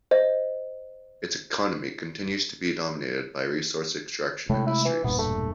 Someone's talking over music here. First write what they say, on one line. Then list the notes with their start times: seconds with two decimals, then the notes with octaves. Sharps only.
Its economy continues to be dominated by resource extraction industries.
0.11 C5 D#5
4.49 A2 C3 G#3 A3
4.67 E4
4.85 E3
5.04 E1 G2 A#2 B3
5.18 A3